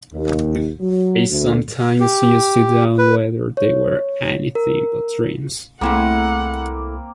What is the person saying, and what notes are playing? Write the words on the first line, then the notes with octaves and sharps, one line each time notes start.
I sometimes used to doubt whether they were anything but dreams.
D#2
F#3
D2
G4
B4
C#5
A#4
C2 A3 A#3 C4 E4 G#4 F#5 B5